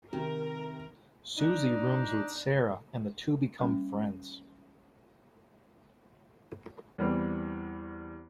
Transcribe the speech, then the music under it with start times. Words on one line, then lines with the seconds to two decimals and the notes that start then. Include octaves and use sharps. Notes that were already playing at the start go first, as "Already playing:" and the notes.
Suzy rooms with Sara, and the two become friends.
0.13 C3 D#3 C4 A#4
1.37 D4 D#4
3.59 G3 A#3 C#4
6.98 E2 E3 G3 B3 C4